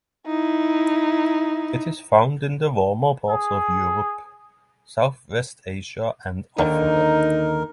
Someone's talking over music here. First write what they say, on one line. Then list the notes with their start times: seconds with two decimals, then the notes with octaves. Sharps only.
It is found in the warmer parts of Europe, southwest Asia and Africa.
0.27 D#4 E4
3.29 G#4
6.58 D#2 D3 D#3 D#4 A#4